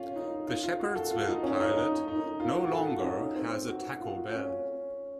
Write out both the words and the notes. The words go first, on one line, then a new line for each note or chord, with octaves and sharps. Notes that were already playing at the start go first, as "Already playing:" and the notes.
The Shepherdsville Pilot no longer has a Taco Bell.
Already playing: C#4 F4
D#4
F4
F4
F#4
A4
F4
D#4
C#4
D#4
D#4
D#4
F4
F#4
A4
C#4
D#4
C4
F#4
F4
C#4